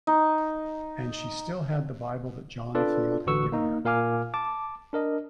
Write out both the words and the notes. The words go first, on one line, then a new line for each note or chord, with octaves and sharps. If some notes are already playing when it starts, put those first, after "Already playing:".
And she still had the Bible that John Field had given her.
D#4
D4 F4 A4 B4 D5
A1 D3 F#4 B4 C#6 E6
A#3 D#4
A#2 A#4 F5 G#5 D6 F6
A5 D6
D4 A#4 D#5